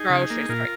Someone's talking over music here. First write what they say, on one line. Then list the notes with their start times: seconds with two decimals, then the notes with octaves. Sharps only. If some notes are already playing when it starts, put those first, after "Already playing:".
grocery store
Already playing: D#4 G#4
0.10 C#3
0.30 A#3
0.49 A#2 F4 A#4